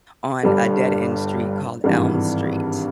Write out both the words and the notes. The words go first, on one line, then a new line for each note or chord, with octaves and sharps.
on a dead-end street called Elm Street.
G1 G2 G3
G#1 G2 E3